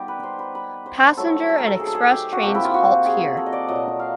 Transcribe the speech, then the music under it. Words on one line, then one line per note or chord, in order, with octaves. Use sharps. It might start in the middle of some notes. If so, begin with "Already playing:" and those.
Passenger and Express trains halt here.
Already playing: D#3 G3 B3 G4
B4
C5
B4
B4
C5
D#3 F#3 A3 A4
A4
A#4
A4
G#4
A4
G#4
G4
F#4
C3 F3 A#3 G4
E4
F4
F#4
G#4
A4
D#5
D5
A#2 F#3 A#3 D#5
F5